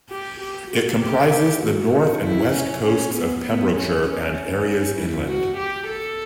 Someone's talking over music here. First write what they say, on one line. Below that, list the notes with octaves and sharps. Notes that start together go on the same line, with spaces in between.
It comprises the north and west coasts of Pembrokeshire and areas inland.
G4
G4
F#4
G4
F#4
E4
C#4
C#4
B3
B3
C#4
C#4
E4
F#4
G4
A4